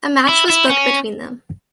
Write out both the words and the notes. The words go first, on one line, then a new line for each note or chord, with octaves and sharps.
A match was booked between them.
E4
E4
C#4